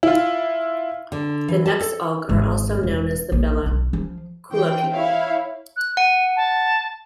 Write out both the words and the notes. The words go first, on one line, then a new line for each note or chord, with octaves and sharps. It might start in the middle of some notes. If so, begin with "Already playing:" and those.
The Nuxalk are also known as the Bella Coola people.
E4 F4
D3
E3
A5
A4
G#1
E1
A#1
B1
F3
E3 C5 G5
E4 C#5 E5 F5
F#6
F#5 D#7
A5